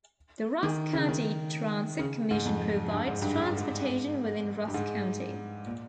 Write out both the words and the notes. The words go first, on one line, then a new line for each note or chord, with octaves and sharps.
The Rusk County Transit Commission provides transportation within Rusk County.
D#3
C#3
D#3
C#3
G#2
F2
G2
G#2
G2
G#2
G2
G#2
G2
G#2
A#2